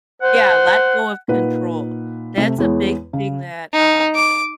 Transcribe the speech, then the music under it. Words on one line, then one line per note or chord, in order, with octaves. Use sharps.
Yeah, let go of control. That's a big thing that, um
C5 F#5
A#2 D#4 B4 F#5
C3 A3
E2 G#3 B3 C#5
C#3
D#4
D6